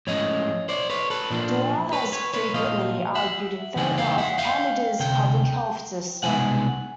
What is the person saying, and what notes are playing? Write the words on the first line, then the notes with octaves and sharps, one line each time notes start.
Doer has frequently argued in favour of Canada's public health system.
A2 F3 G#3 C#4 C#5 D#5
C5 D5
B4 C#5
A4 B4
A#2 F3 A#3 D4
B4 C#5
B4 C#5
B4 C#5
A#2 F3 A#3 D#5 F5
E5 F#5
C#3 E3 G3 A#3 D#4 F#5 G#5
F5 G5
E5 F#5
F5 G5
D2 C3 G5
C2 B2 G#3 B3 D#4 F#5 G#5